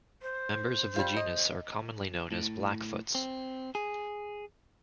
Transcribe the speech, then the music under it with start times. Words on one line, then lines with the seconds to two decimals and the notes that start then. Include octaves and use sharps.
Members of the genus are commonly known as blackfoots.
0.22 C5
0.96 G3 F4
1.16 D#5
2.32 A2
3.15 C4
3.75 G#4